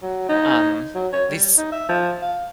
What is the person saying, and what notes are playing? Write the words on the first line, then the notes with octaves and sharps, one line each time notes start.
um, these
F#3
D#4
F#3
C#5
G3
D#4
E5
F3
F5